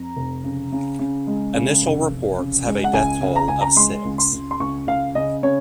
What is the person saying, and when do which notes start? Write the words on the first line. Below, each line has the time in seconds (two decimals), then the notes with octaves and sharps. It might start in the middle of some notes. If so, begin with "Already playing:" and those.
Initial reports have a death toll of six.
Already playing: F2 A#5
0.16 F1
0.44 C#3
0.72 C#3
0.99 C#3
1.27 G#3
1.55 C#3
1.82 F1
2.11 F1
2.39 C#3
2.66 G#3
2.84 F#5
2.93 C#2 G#5
3.21 C#3
3.36 A#5
3.48 C#2 G#5
3.61 A#5
3.76 G#3 C6
4.05 C#2
4.18 C6
4.33 C#2
4.51 C6
4.60 C#2 C#6
4.87 C#2 F5
5.15 C#3 D#5
5.43 C#3 C#5